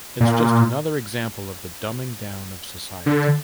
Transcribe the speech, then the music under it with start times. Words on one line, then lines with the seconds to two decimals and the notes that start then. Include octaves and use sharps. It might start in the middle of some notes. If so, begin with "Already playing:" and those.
It's just another example of the dumbing down of society.
0.20 A#2
3.06 D3